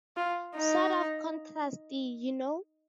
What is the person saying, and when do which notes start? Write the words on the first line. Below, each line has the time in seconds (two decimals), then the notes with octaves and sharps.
Sort of contrasty, you know?
0.17 F4
0.56 D#4